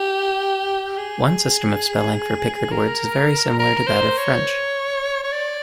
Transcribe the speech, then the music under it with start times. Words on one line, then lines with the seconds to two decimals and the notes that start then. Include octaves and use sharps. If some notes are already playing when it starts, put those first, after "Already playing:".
One system of spelling for Picard words is very similar to that of French.
Already playing: G4
0.97 G#4
2.72 A#4
3.59 A#4
3.87 C5
4.17 C#5
5.24 C#5
5.32 D5